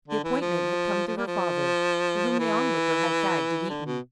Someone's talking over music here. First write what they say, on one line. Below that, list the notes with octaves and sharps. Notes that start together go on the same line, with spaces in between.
The appointment had come through her father, for whom the Onlooker had fagged at Eton.
D3
E3
F3
F3
G3
F3
E3
D3
B2